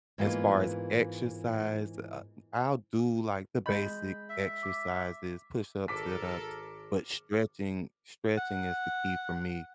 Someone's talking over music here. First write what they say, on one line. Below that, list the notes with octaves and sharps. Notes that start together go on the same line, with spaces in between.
as far as exercise, uh, I'll do, like, the basic exercises- push-ups, sit-ups, but stretching stretching is the key for me
G#2 E3 A#3 B3 F4
G#3 D#5 B5 G6
E5
D6
G#1 A4 A#4 A5 D6 B6
F#5